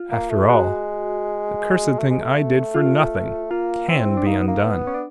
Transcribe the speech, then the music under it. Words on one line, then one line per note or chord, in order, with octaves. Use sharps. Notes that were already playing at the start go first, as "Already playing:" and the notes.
After all, the cursed thing I did for nothing can be undone.
Already playing: F4
A#3
A3
G#3 F#4
A3
G#3
A3
F4
A#3 F4
C4 E4
D4
A#3 D#4
B3
A#3
B3
C#4
D4